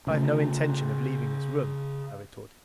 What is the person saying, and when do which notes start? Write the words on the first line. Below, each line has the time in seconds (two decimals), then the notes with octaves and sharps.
"I have no intention of leaving this room," I retorted.
0.07 C#3 A3